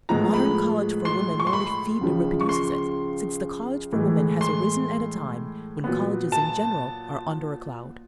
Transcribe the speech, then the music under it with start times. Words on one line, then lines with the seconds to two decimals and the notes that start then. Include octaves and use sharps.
The modern college for women only feebly reproduces it, since the college for women has arisen at a time when colleges in general are under a cloud.
0.09 A2 F3 G#3 B3 A#5
0.34 B5
1.05 C6
1.40 C#6
1.47 C6
1.53 B5
2.01 C#2 C#3 F3
2.41 C#6
2.49 C6
3.92 A2 E3 G#3
4.41 C6
5.84 A#2 F#3 B3
6.32 A5